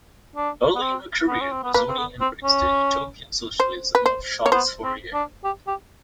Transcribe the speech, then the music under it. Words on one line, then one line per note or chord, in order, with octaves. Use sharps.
Early in her career Mozzoni embraced the utopian socialism of Charles Fourier.
D4
B3
C4
B3
C#4
C4
B3
A#3 B4
C4
B3
C4
C#4
C5
B4
C5
A#3 C#5
B3 C5
C4
D4
G4
G4